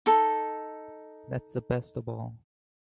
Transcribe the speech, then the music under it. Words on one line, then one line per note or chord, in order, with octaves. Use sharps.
That's the best of all.
D#4 A4